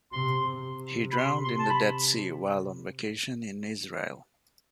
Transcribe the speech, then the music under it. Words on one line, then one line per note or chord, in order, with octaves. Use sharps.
He drowned in the Dead Sea while on vacation in Israel.
C3 C6
C3
B5
C6
C6
A5
B5